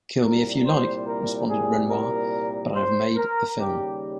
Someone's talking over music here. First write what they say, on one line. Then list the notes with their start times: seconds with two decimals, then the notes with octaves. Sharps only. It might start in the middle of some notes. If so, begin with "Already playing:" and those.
"Kill me if you like", responded Renoir, "but I have made the film".
0.22 C2 A#2 G3 A#4
0.64 C5
1.06 A#4
1.48 G#4
1.89 A#4
2.75 C5
3.16 A#4
3.58 D#2 C#3 G3 G4